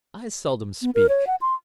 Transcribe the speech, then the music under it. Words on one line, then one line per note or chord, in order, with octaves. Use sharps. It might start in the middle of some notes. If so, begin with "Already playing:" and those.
I seldom speak.
B3
A#4
C#5
F#5
C6